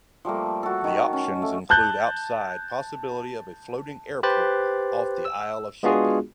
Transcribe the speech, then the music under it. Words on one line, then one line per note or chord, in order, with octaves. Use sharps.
The options include outside possibility of a floating airport off the Isle of Sheppey.
F3 G3 A3 A#3
F#4 A4
D#3
C#4
A3
A5 F#6 G6
G4 B4 C5 F#6 A6
E6
G#3 B3 D4 F4 F#4 G#4